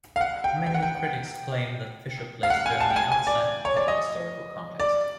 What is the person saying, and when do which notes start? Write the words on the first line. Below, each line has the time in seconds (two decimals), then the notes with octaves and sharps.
Many critics claim that Fischer placed Germany outside the proper historical context.
0.16 F5
0.21 F#5
0.44 G5
0.66 G5
0.74 F#5
0.83 G5
2.43 F5
2.50 F#5
2.66 G#5
2.81 A5
2.90 G5
2.96 G#5
3.12 G#5
3.27 D5
3.65 C#5
3.77 D5
3.88 D#5
4.80 D5